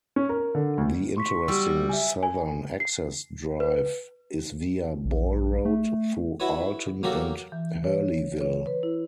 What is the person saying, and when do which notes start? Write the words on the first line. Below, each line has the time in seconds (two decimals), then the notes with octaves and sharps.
The interesting southern access drive is via Ball Road through Alton and Hurleyville.
0.16 C#4
0.29 A#4
0.55 D3
0.78 D2
1.17 C6 C#6 B6
1.48 G3 F#4 E6
1.89 E5 G#5
2.23 G#5
2.80 C7
3.60 B4
5.05 A#1
5.65 A3
6.40 E4 F#4 B4 C#5
7.03 F#3 A#3 F#4 G4 A4 A#4
7.52 E3
7.84 C#5
8.41 C#5
8.67 B4
8.83 E4